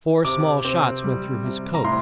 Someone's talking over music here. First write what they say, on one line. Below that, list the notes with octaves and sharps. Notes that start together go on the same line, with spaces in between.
Four small shots went through his coat.
C3 D6
C4
G3
C3
A#5
A2 C6